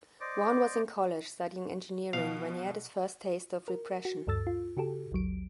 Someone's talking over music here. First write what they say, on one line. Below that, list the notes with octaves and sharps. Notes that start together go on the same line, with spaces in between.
Wan was in college studying engineering when he had his first taste of repression.
C5 D5 D#5 D6
B2 F3 F5
A#4
F#4
D2 G2 A4 E6 A6
F4
C#3 F#4 G4 A4
A1 D#2 F#3 D7